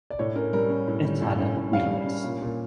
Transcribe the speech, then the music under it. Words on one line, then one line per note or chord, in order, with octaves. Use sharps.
It had a wheelbase.
D5
A2 C#5
C#4 A#4
G3 A#4
C#4
A2
G3
A2
C#4
A2
G3 F5
G3
C#4
A#2
A#2